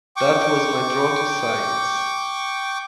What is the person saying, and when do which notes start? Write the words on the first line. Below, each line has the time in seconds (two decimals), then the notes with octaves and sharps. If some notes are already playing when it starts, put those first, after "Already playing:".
That was my draw to science.
0.16 G5 C#6 D6